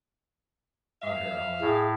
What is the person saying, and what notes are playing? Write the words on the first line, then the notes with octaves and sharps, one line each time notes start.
on her own.
E5 F5
A2 G#4